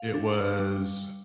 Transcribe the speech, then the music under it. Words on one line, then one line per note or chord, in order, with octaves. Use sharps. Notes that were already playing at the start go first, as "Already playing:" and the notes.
It was
Already playing: F5
D4
G3